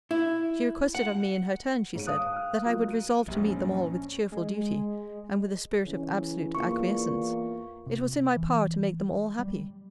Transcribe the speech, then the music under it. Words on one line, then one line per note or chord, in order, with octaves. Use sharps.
She requested of me in her turn, she said, that I would resolve to meet them all with cheerful duty, and with a spirit of absolute acquiescence. It was in my power to make them all happy.
E4
F#5
G#2 C#5 D#7
B4 F5 A5 D#6 F#6
G5 F6
F#3 A#3 F4
D#7
A#1 F#2 G3
C#4
G#3
C#3 E3 C#4
E2 A#3 F4 C#6
C3
E3
G3